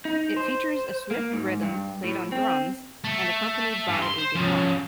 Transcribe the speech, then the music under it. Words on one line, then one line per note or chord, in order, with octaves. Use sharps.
It features a swift rhythm played on drums and accompanied by a guitar.
D#4
C5
A#3
G#2
G2
A2
C4
A3
G2
C6
C5
F3 C#4